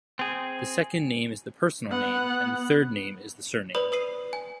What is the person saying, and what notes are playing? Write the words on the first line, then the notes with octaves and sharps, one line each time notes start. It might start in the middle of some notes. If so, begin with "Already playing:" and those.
The second name is the personal name and the third name is the surname.
C4 G#4
B3 F#5
B4 C5 D5 B5 D#6 F7
B4 D#6 C7 D#7
G#5